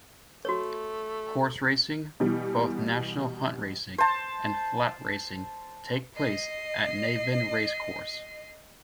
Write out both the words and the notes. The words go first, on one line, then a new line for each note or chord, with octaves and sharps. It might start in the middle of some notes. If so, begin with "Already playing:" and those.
Horse Racing, both National Hunt racing and Flat racing, take place at Navan Racecourse.
A3 F#4 C#5
B2 E3 G3
C5 A5
D#5 C7